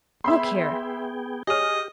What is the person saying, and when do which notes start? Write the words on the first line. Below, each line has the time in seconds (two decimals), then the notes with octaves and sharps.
"Look here!"
0.24 B3 G#4 E5 G5 B5 C6
1.47 G4 G#4 C#5 D#5 D#6 F6